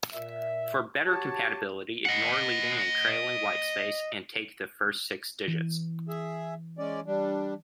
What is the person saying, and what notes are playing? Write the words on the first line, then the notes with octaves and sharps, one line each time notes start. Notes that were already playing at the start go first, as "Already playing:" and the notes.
For better compatibility, ignore leading and trailing whitespace, and take the first six digits.
A#2 E5
F#4 G4 C#5 A5
D#5 F#5
E3
G#4 E5
G#3 C#4 D5
G3 D4